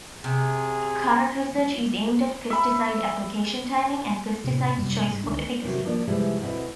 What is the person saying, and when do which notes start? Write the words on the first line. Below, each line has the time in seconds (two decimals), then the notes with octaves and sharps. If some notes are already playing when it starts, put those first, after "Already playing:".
Current research is aimed at pesticide application timing, and pesticide choice for efficacy.
0.24 C3 G#4
2.50 E5 B5
4.44 A2 C3
4.77 F#2 C3 G3
5.06 G#2 G3
5.24 C#2 D3 D#3 D4
5.64 C3 D#3 E3 F#3
5.85 F3 A#3 D4 F4 D5
6.07 C3 E3 F3 G3 G#3 E4
6.40 D2 B2 C4 E4 D#5